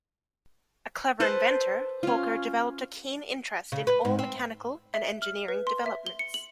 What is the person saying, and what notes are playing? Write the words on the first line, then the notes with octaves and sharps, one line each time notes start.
A clever inventor, Hawker developed a keen interest in all mechanical and engineering developments.
A4 B4 C5 A5
C#4 F4
C#3
B4
G#2
C4
E5
F6
B4
C6
E5
G7
C#7
F#7